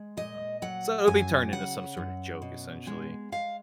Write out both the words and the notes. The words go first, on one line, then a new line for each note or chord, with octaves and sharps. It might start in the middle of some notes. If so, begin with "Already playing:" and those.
Uh-huh. So, it'll be turned into some sorta joke, essentially.
Already playing: G#3
A#2 D#5
F#3 F#5
F#2 G#5
C#3 F#5
F#2
B2
G#3
G#3 F5